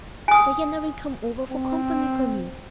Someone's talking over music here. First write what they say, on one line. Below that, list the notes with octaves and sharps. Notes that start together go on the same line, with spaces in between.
Diana will come over for company for me.
G#5 D#6
C4